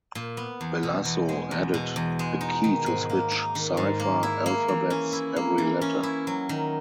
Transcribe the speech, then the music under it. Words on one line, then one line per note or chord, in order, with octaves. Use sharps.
Bellaso added a key to switch cipher alphabets every letter.
A#2
B3
E2
B2
E2
G#3
E2
B2
E2
G#3
D#4
D#3
G#2
A#3
D#4
D#3
G#2
A#3
E4
A#3
E3
C#4
E4
A#3
E3
C#4
E4
F#3
D#3